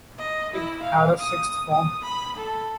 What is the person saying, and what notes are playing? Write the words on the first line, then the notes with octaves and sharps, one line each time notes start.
It had a sixth form.
D#5
E4
F5
D#6
D#6
B5
A4